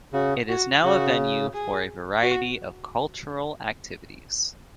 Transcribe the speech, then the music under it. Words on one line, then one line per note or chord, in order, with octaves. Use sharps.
It is now a venue for a variety of cultural activities.
C#3 F#4
F#4
C#3 F#4
G#4
F#4